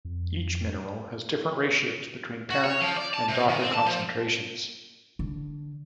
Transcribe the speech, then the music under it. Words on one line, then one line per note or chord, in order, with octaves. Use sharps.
Each mineral has different ratios between parent and daughter concentrations.
F2
F#4
C#5
F3
D5
A5
C3
D#3
C4
A5
F3
D3